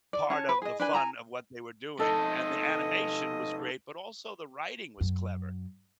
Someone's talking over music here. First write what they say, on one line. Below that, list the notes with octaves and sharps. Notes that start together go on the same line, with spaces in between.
part of the fun of what they were doing, and the animation was great, but also the writing was clever.
D5
C#4 C#5 A5
B4
G#4 D#5
D4 B4 G#5
G#5 A#5 B5
C3 D#4 A4 D#5
F#2